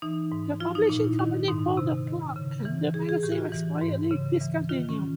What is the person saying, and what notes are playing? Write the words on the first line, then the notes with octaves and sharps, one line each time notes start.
The publishing company pulled the plug and the magazine was quietly discontinued.
E3 D#4
G#2
F3 F4
D#4
A#2 D#4
E4
D#3 E4
G#2 D#4
C3
D#3
C#3
E3
E3 G#4
G#4
A2 G4
F#4
F4
E3
G#2
C#3
E3
D#3 F4
C#4